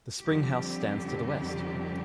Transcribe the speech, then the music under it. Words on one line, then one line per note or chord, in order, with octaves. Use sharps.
The spring house stands to the west.
F2 D3 G3 C4 G4